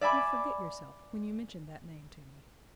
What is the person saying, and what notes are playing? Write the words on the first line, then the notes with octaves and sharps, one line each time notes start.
"You forget yourself when you mention that name to me."
D5 E5 G#5 B5 D6